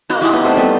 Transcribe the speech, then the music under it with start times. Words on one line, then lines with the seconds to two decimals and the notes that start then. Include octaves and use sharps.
Oh, uh-huh.
0.10 D#4 F#4
0.21 E4 G4
0.33 B3 D#4
0.45 A3 C4
0.57 G3 B3